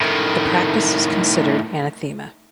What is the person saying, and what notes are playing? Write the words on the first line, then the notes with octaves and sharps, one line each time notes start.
The practice is considered anathema.
A2 D#3